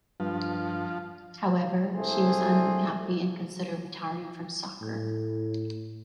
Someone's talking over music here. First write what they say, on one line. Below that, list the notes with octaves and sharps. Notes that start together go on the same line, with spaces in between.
However, she was unhappy and considered retiring from soccer.
G2 F3
C2 A3 G#4 C5
A2